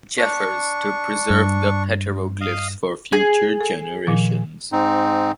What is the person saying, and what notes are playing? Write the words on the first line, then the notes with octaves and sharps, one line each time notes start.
Jeffers to preserve the petroglyphs for future generations.
D4 C#6
G2
D#5 F5
G#4
A4
A#2 D#3 F3
G#2 C4 D#4